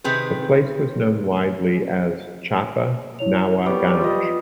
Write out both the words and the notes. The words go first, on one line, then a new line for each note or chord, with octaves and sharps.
The place was known widely as Chapai Nawabganj.
C3 D#3 C4 G#4 B4
E4 C#5 F7
G3 B3 C#6 D6
F4 D#5